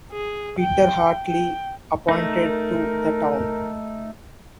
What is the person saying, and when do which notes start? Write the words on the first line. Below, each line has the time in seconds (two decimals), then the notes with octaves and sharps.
Peter Hartley appointed to the town.
0.12 G#4
0.59 G5
1.27 G5
2.09 A3 D#4 A#4